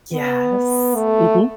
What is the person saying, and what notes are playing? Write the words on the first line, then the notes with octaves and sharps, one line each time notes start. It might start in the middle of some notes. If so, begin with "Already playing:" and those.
Yes. Mhm.
B3
A3